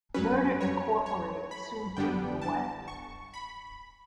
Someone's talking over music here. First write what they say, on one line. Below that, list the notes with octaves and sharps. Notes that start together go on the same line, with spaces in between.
Murder, Incorporated soon faded away.
G2 F#3 C#4 B4
C#5
C#5
B5
G2 D3 G3 B3 D4 G5
A5
C#6
B5